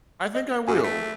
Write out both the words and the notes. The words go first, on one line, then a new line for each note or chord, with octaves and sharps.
I think I will.
D#5
F#2 F#4 F5 G#5
A3